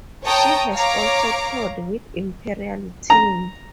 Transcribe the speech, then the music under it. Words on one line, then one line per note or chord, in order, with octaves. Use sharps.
She has also toured with Imperial Teen.
C#5 G5 A5 A#5 D#6
C#5 F5 A#5 D6
A#5